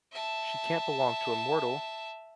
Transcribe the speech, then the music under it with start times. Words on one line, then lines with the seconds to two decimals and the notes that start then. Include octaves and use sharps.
She can’t belong to a mortal!
0.12 E5 A5